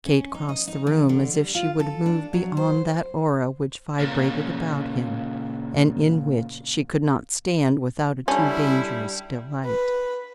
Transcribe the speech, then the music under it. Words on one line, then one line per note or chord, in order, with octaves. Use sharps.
Kate crossed the room as if she would move beyond that aura which vibrated about him and in which she could not stand without a too dangerous delight.
C#4
D#4
D#5
D#4
E2
D3
G3
F4
A4
D4
F#3
C5
A#2 C#3
D3 G3 C#4 E4
B4